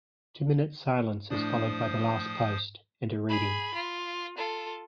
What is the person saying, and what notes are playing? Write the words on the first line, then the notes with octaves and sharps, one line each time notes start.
Two minutes silence is followed by The Last Post and a reading.
A2 F3 D4 C5 D#6
G#4 B5
F4
F4 A4